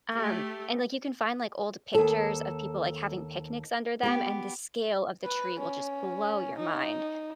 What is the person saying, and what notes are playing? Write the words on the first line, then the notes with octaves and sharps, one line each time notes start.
um, and, like, you can find, like, old pictures of people, like, having picnics under them, and the scale of the tree will just blow your mind.
A3 G4
D#2 A4
B3 G4
B4
C#4
D#4